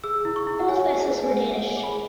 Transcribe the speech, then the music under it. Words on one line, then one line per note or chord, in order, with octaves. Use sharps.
Both vessels were Danish.
G#4 E6
E4
C#6
E4
F#5
C#5 G#5
G#4
E4
G#5
E4 F#5
F#5
C#5
G#5
G#4
B5